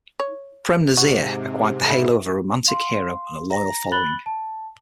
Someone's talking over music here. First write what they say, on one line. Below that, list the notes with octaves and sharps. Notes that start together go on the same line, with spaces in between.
Prem Nazir acquired the halo of a romantic hero and a loyal following.
C#5
G#2 C3 F#4
A3 E4
F5 C6
A#5 A#6
B5 F#6 A6 F#7 G7
A5